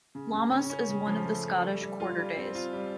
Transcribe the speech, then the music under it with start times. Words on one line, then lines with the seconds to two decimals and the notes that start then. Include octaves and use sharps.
Lammas is one of the Scottish quarter days.
0.15 C#3
0.33 C#3
0.52 C#4
0.70 C#4
0.89 C#3
1.07 F3
1.25 A3
1.44 A3
1.62 G3
1.82 G3
2.00 F4
2.18 G3
2.37 C4
2.55 F4
2.73 G3